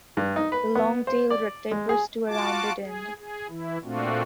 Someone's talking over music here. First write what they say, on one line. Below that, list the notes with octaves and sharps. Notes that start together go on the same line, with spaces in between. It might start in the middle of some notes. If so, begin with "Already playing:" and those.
The long tail tapers to a rounded end.
G2
D#4
B4
B3
C5
D5
G#3
G#4
F4 F#4 A5 D6
G#4
G#4
E3 E4
A#2 A3 C4 D4 F4 F#4